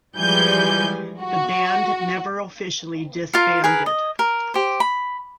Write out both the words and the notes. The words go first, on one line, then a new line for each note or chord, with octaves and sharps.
The band never officially disbanded.
E3 F3 G3 G#3 G#5 G6
F#4
F4 A#4 F5
G#4 A#4 B4
D#5
A#4
G4 C5
B5